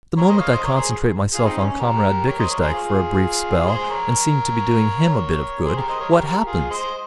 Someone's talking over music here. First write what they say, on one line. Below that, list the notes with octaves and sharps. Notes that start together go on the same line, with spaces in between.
The moment I concentrate myself on Comrade Bickersdyke for a brief spell, and seem to be doing him a bit of good, what happens?
A#4 C#5
C5 D#5
C#5 F5
C5 D#5
A#4 C#5
G#4 C5
F4 G#4
C4 D#4
C#4
C#4
G4 A#4
A#4 C#5
C5 D#5
A#4 C#5
G#4 C5
F4 G#4
G#4 C5
A#4 C#5
A#4 C#5
G#4 C5
G4 A#4
C5 D#5
A#4 C#5
G4 A#4
G4 A#4
F4 G#4
C5 D#5
D#5